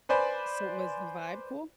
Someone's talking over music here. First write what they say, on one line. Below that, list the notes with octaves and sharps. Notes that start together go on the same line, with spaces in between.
So was the vibe cool?
B4 C5 D5 G#5 B5